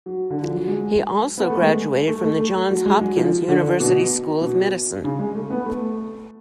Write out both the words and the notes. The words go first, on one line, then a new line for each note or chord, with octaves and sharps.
He also graduated from the Johns Hopkins University School of Medicine.
F#3
D3
F3
F#3
G#3
B3
A3
G#3
A3
A3
A3
F#3
G#3
F#3
F3
D3
B2
B2
C#3
G#3
A3
B3
A3